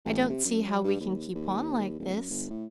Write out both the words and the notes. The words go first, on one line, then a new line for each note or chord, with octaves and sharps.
I don't see how we can keep on like this.
A1
C3
F#2
F#3
G2
D#2
D#2
D#2
D1
F#2
G1
A2